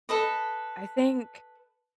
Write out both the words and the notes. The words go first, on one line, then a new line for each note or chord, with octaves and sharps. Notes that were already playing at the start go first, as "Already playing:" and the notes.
I think
A4 B4 D#5